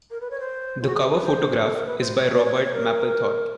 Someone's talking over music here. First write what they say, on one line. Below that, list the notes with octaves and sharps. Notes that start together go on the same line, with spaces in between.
The cover photograph is by Robert Mapplethorpe.
A#4
B4
C#5
C5
F4
F#4
G#4
B4
C5
A4
A#4
B4
C5
C#5
D5
C#5
C5
C#5
A#4